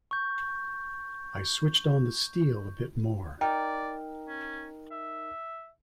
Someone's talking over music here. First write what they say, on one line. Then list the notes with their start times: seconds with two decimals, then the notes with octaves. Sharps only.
I switched on the steel a bit more.
0.11 C#6 G6
3.41 D#4 A#4 D5 G5
4.28 C#4
4.92 E5